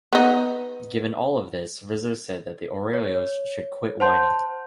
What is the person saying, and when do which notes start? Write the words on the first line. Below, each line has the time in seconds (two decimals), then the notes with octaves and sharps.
Given all of this, Rizzo said that the Orioles should quit whining.
0.13 B3 D#4
2.93 C#5
4.00 C5 F#5 A5 C6 G6